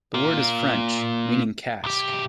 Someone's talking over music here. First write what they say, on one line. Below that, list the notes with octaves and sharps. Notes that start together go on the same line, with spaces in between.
The word is French, meaning 'cask'.
A#3 F4
B1 G4